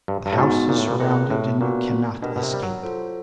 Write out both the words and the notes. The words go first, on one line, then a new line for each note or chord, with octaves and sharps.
The house is surrounded, and you cannot escape.
G2
G2
A2
G#2 B3 D#4 F#4
A#2
A2
A#2
A#2 G#4 B4 D#5
A2
A#2 B3 D4 F#4 B4
B2 D4 G4 A#4 D#5 G5
B2
C3
G3
F#3
F4 A4 C5